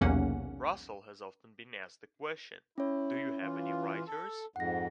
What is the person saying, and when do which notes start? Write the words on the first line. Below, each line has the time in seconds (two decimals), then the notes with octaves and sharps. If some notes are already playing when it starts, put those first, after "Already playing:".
Russell has often been asked the question, Do you have any writers?
0.01 B1 E2 C3 A#3 C#4 F#5
2.78 C#4 E4 C#5
3.41 E3 F4
4.07 A4
4.56 F2 G#2 F#5 A#6